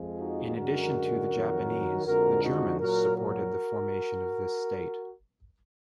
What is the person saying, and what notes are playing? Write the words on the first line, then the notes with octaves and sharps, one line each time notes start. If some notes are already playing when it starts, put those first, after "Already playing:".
In addition to the Japanese, the Germans supported the formation of this state.
Already playing: F2 F3 G#3
D#4 F#4
F#2 D3 G#3 F#4 A#4
F2 D#3 F#3
F2 D3 F3 G#3 F#4 A#4
D#4 F#4
A#2 F#3 F#4 A#4
F#4 A#4